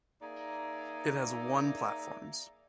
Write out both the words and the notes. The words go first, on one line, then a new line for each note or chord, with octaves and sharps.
It has one platforms.
A#3 D#4 G#4 D5 E5 A#5